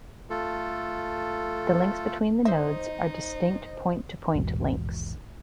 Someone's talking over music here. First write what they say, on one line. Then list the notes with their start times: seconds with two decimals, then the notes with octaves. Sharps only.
The links between the nodes are distinct point-to-point links.
0.30 A3 F4 A4
2.45 D#4 C5 D#5 E5
4.35 A#1 E2 G#2 B2